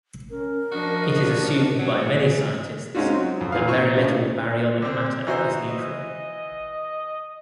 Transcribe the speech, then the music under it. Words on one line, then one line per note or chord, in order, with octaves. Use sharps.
It is assumed by many scientists that very little baryonic matter is neutral.
C#4 A#4
F3 D4 F#4 D#5
E3 F#3
G#4
G#3 C4 C#4 D#4 F4 F#4
F#3
F2
A#2 E3 F5
A#2 F#4 C#6
A2 C#3
D3 C4
E3 D#4 F#4 C5
D#5